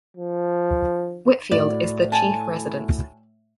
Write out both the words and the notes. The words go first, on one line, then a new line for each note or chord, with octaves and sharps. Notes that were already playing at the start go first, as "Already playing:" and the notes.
Whitfield is the chief residence.
F3
A2 F#4 D5
G#5 A5